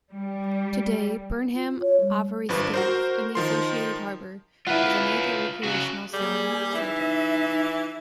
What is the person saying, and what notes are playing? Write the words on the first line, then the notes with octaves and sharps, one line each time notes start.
Today Burnham Overy Staithe, and the associated harbour, is a major recreational sailing centre.
G3
F4
C#5
G3
G#1 G2 F3 B4
F#4 A#4 C5
D#3 F3 C6
E4 F4 B4 F#5
C#3 F#4
G3 A#3 G#4
E3 D#4 E5